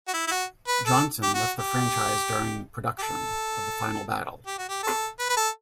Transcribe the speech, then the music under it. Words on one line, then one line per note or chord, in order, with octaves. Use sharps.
Johnson left the franchise during production of "The Final Battle".
F#4
E4
E4
F#4
B4
A4
G4
F#4
G4
G4
A4
G4
F#4
G4
A4
B4
B4
A4